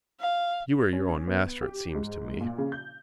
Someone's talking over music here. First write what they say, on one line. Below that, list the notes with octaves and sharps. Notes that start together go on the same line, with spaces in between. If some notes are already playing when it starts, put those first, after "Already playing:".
You are your own master, it seems to me.
F5
C#4
B3
G4
G#2
A#2
C#3
G6